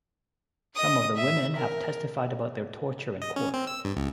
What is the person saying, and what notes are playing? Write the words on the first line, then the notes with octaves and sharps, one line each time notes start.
Some of the women have testified about their torture in court.
D#5 D#6
E5
A#4
D#5
C#4
C4
E6
G2
C#2